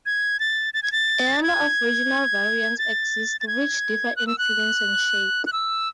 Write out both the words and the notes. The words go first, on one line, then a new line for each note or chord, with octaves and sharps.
A number of regional variants exist which differ in fillings and shape.
G#6
A6
A6
G#6
A6
G#6
A6
A6
G#6
F#6
E6
F#6
F#6
E6